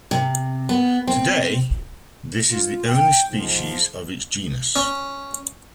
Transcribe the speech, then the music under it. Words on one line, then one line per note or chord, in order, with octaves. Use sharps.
Today, this is the only species of its genus.
C3
B3
C4
F4
G5
G#2 F3
C#4